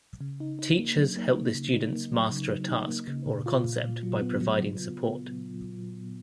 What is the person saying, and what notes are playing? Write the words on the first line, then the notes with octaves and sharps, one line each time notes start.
Teachers help the students master a task or a concept by providing support.
C#3
D#4
D#4
A#3
F#3
A#3
A#3
C#3
D#4
A#3
F#3
C#3
F#3
D#4
A#3
C#3
A#2
F4
A#2
A#2
F#3
B3
F#3